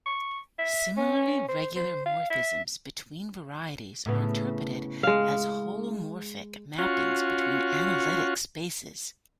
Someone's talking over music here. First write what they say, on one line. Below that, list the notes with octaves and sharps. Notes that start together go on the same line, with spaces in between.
Similarly, regular morphisms between varieties are interpreted as holomorphic mappings between analytic spaces.
C#6
E5
C#4
C5
C5
F5
E5
A2 C#3 B3
G#3 F5
C#4 F4 F#4